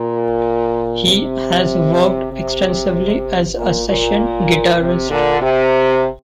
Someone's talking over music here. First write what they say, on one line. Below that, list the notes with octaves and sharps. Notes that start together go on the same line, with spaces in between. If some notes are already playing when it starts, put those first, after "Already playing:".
He has worked extensively as a session guitarist.
Already playing: A#2
C3
C3
A#2
A#2
C3
A#2 D3
C3